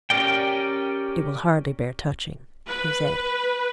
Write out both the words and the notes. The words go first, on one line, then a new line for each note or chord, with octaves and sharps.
"It will hardly bear touching," he said.
C#4 G4 A#4 D5 G5
B4